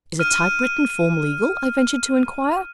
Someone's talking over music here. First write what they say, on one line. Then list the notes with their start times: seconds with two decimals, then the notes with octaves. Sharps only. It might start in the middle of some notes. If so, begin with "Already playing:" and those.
'Is a typewritten form legal?' I ventured to inquire.
0.19 F6 D#7